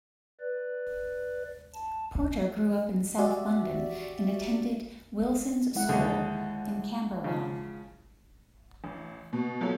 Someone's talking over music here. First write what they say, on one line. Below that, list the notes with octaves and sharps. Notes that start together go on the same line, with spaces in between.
Porter grew up in South London and attended Wilson's School in Camberwell.
B4 D5
A5
F#4 G4 D5 E5
G#3 E4 F#5
D#2 D3 G#4
C#3 F3
A1
B2
F3 F#3 B3 A4 C#5